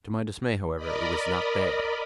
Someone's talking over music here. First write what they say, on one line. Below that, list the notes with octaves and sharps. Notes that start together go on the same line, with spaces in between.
To my dismay, however, it was not there.
A#4 D5 D#5 B5